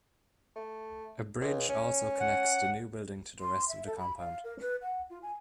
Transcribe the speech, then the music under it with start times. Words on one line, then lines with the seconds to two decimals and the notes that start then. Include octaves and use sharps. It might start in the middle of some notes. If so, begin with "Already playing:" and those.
A bridge also connects the new building to the rest of the compound.
0.56 A3
1.41 C#2
1.69 C#4
2.20 F#5
3.40 C6
3.69 E5
3.87 A4
3.99 B5
4.18 F5
4.44 A#4
4.61 B4
4.82 F#5
5.10 F4
5.23 G#5